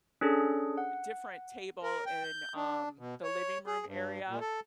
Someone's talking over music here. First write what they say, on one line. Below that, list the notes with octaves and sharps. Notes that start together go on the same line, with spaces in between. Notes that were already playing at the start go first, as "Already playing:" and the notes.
different table in, um, the living room area,
C#4 D4 G#4 A4
F#5
A#4
G5
G6
D4
B2
C#5
G#4
G2
A#2
A4